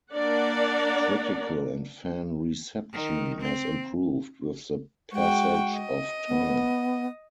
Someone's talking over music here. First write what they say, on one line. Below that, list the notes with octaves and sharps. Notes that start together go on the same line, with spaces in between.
Critical and fan reception has improved with the passage of time.
A#3 D4 A#4 D5 F#5
D#3
C4
G#3 F#4 G5
D#5
B3